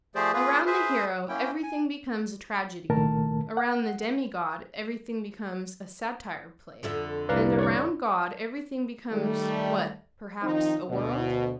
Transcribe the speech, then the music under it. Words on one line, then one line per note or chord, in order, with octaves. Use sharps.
Around the hero everything becomes a tragedy; around the demigod everything becomes a satyr-play; and around God everything becomes--what? perhaps a "world"?
F3 A3 G4 G#4 C5 D5
A#3 F4 G#4 B4
G#4 B4 C5 E5
A#3 C#4 E4 G5
G#5
C2 A#2 D#3 A3 A#4 A5
F#5
F2 D3 E5
C2 B4 D5 F5 A#5
C#5 D5 C#6
D#3 G3 A3
D#3 F3 C4 D#4
D2 B2